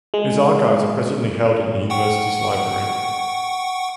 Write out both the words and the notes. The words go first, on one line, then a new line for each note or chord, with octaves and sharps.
His archives are presently held in the university's library.
G#3
F#5 G5 C#6